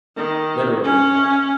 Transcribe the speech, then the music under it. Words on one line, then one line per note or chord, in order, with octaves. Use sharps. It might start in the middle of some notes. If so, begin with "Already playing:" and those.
um, literally, uh
D#3
C#4